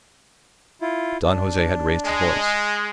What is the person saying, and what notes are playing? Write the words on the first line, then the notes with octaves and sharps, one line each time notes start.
Don Jose had raised his voice.
E4 F4
D4
G#3